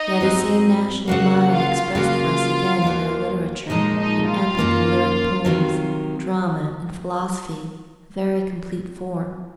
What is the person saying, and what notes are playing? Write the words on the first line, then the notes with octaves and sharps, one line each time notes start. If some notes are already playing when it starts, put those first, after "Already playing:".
We have the same national mind expressed for us again in their literature, in epic and lyric poems, drama, and philosophy; a very complete form.
Already playing: D#4 D#5
G#2 F#3 C4
C#3 F#3 A#3 F#4 F#5
F4 F5
C#3 F#3 A#3 F4 F5
D#2 D#3 F#3 A#3
A#2 F3 G#3 D#4 D#5
D#4 D#5
F4 F5
F#2 D#3 A#3 C#4
C3 D#3 F#3